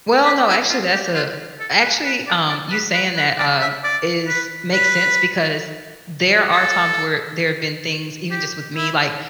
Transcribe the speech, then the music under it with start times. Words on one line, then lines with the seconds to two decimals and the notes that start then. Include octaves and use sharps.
Well, no, actually that's a actually, um, you saying that, um, is makes sense because there are times where there have been things, even just with me, like
0.25 B4
0.48 E4
0.70 F4
0.92 G4
1.14 F4
1.60 A4
1.81 B4
2.05 B4
2.27 D5
2.49 D5
2.71 B4
2.94 B4
3.17 B4
3.39 D5
3.60 E5
3.84 D5
4.28 B4
4.73 B4
6.52 A4
8.31 G4
8.76 E4